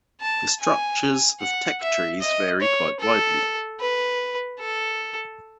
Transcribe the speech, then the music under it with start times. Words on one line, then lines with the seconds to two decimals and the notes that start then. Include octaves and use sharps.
The structures of tech trees vary quite widely.
0.21 A5
0.60 G#5
1.40 F#5
1.81 E5
2.21 D#5
2.61 C#5
3.00 A4
3.80 B4
4.60 A4